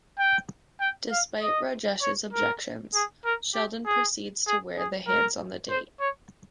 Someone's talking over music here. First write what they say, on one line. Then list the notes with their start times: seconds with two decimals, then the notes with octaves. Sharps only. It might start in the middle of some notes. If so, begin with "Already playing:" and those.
Despite Rajesh's objections, Sheldon proceeds to wear the hands on the date.
0.19 G5
0.80 G5
1.11 F5
1.42 D#5
2.02 C#5
2.33 A#4
2.95 G#4
3.25 A#4
3.55 G4
3.86 G#4
4.47 G#4
4.78 G#4
5.08 A#4
5.70 C5
6.00 C#5